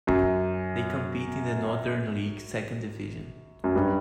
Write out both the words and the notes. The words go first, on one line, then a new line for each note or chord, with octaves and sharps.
They compete in the Northern League Second Division.
F#2
F#2
G2